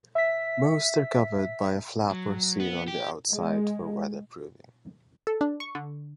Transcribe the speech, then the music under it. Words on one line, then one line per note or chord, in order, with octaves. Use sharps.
Most are covered by a flap or seal on the outside for weatherproofing.
E5 B6
F#3
B3
G4
G#3
A4
D4
C#6
D3